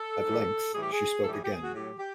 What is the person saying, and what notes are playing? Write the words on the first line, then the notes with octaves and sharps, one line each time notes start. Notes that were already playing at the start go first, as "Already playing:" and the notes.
At length she spoke again.
Already playing: A4
G#2 E3 G3
A2 E3 G3 G#4
G4
G#4
A2 E3 G3 A4
G#4
G4
G#4
F#4
A2 F#3 G4
G4